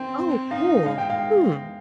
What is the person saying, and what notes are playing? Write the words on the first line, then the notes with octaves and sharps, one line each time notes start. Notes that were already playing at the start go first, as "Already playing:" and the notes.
Oh, cool. Hmm.
Already playing: C4 G5
D#4 F5
G#3 F5
G5
F5